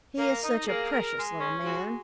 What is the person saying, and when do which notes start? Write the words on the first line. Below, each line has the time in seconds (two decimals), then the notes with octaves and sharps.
He is such a precious little man.
0.18 A#3 A#4
0.43 D#4
0.66 A#3 G#4
0.91 A#4
1.16 G#3
1.40 C#4
1.64 G#3 F#4